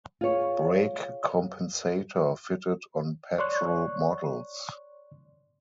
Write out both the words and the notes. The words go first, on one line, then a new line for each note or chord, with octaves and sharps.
Brake compensator fitted on petrol models.
F4 G#4 C#5
C#5 D5 C6 C#6 F#6